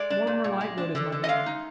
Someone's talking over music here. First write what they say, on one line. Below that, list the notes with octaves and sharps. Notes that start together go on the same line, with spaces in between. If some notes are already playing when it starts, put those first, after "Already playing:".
'Mortimer Lightwood is my name.
Already playing: G#3 D5
D4
A#2
A#2
G#3
D4
D3
D3
D#5
G#3 F5
D#4